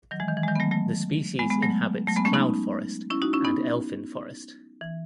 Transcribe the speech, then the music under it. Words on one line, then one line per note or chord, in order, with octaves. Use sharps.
The species inhabits cloud forest and elfin forest.
D#3 F#3
E3 G#3
D#3
E3
G#3
D#3 F#3
B3
F#3 A3
F#3 A3
G#3 B3
G#3 B3
F#3 A3
F#3 A3
G#3 B3
A3 C#4
B3 D#4
C#4 E4
D#4 F#4
C#4 E4
B3 D#4
E3